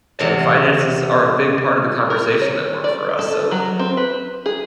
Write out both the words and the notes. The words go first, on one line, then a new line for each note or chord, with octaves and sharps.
and finances are a big part of the conversation that weren't for us, so,
E2 C3 A5
A#4
C#5
D5
A4
F#3
C4
B4
G#4